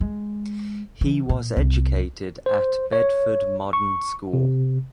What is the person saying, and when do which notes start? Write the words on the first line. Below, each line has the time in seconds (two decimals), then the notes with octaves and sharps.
He was educated at Bedford Modern School.
0.01 G#3
1.01 E3
1.29 A#2
1.57 C2
2.46 C5
2.93 C#5
3.73 C#6
4.33 C3